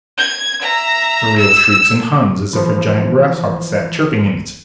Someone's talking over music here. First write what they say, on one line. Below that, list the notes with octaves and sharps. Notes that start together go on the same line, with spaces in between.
The reel shrieks and hums as if a giant grasshopper sat chirping in it.
G#6
E5 A#5
E6
E3 F3